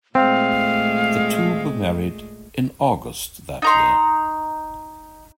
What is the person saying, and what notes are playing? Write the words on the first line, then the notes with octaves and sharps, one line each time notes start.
The two were married in August that year.
A#2 G#3 A3 C4 F5
D#4 A#5 C6